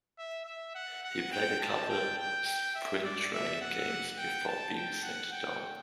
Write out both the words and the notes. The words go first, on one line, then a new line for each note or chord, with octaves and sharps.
He played a couple spring training games before being sent down.
E5
E5
F#5
F#5
G5
A5
G5
G5
G5
E5
D5
E5
F#5
G5
A5
G5
F#5
G5